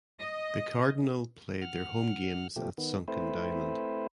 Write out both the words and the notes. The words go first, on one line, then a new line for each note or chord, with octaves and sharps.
The Cardinal played their home games at Sunken Diamond.
D#5
F#5 F6
B2 F3 A3 G4
D#3 B3
A3 C4 E4 B4 C5